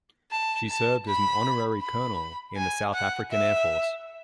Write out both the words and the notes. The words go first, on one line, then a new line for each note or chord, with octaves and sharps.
She served as an Honorary Colonel in the South African Air Force.
A5
A5
B5
B5
G#5
F#5
E5